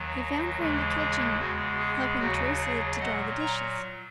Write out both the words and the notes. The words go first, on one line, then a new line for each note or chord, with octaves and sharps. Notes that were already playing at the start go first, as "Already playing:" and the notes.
He found her in the kitchen helping Teresa to dry the dishes.
Already playing: D#2 D#3 F#3
D#2 C#3 E3 G#3
G#4
E2 C#3 G#3 F#4
G#4
D#2 C#3 F#3 F#4
G#4
A#2 F#3 D#5 F#5
A#5 C#6